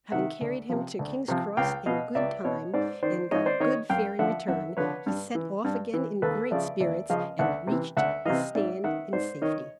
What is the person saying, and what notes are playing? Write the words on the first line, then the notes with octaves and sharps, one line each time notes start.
Having carried him to King's Cross in good time, and got a good fare in return, he set off again in great spirits, and reached the stand in safety.
C3 D#3 E5 F#5
D2
C3 F3
D2
C3 F3
C#2 F5 G5
B2 D#5 F5
C#2 D5 E5
B2 C#5 D#5
G#2 C5 D5
D#3 C5 D5
G#2 C#5 D#5
C5 D5
D#3 C#5 D#5
F#2 F5 G5
D3 F3 E5 F#5
F#2 E5 F#5
D3 F3 B4 C#5
G2
E3
G2
E3
D#2 A4 B4
C#3 F3 D5 E5
D#2 D5 E5
C#3 F3 D#5 F5
D2 E5 F#5
C3 E3
D2 E5 F#5
C3 E3 D#5 F5
G#2 D5 E5
D#3 E5 F#5
G#2 C5 D5
D#3 C#5 D#5